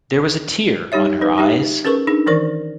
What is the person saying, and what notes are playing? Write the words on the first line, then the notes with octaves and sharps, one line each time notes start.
There was a tear on her eyes.
G3 D#4 G4 C#5 E5
D#4 B4
D#4 G4 E5
C#4 G#4 A#4 B4 C#6
D4 D#4 G#4
D#3 E3 A#4 D5